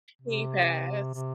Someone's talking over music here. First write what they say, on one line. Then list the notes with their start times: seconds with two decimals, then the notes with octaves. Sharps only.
he passed.
0.21 C3
1.14 C3